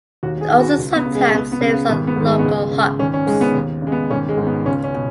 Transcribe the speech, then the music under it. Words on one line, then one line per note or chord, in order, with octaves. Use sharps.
It also sometimes lives on local huts.
D#2 F#4
G#4
D#3
F#4
C#2
B3
C#3
G#3
G#3
C#2 B3
B3
C#3
B3
G#1 B3
B3
G#2 D#3
G#3
B3
C#2 G#3
C#3
G#1 C#4
C#4
G#2 D#3 G#3
B3
D#2
C#3 G#3
B3
G#1 C#4
G#3
G#2 D#3
B3
C#2 C#4
C#4
B2